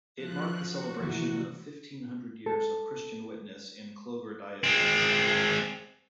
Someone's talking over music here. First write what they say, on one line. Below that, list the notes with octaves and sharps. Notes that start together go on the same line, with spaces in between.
It marked the celebration of fifteen hundred years of Christian witness in Clogher Diocese.
F3 F#6
F#4
C3 E3 F3
A4
G#3 C4